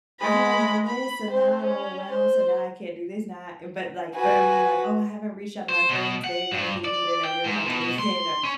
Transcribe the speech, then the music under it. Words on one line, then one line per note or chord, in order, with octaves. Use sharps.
"I haven't done this, so, now I'm overwhelmed, so, now I can't do this now" But, like, er, I'm being, like, "Oh I haven't reached out to my friends, they are gonna hate me, they're never gonna talk to me again," or,
G#3 B5
B5
C4 C5
C#4
C5
F#4 B4 G#5
C5
B2
F#5
G2
D5
G5
G#2
B2
C6
C#4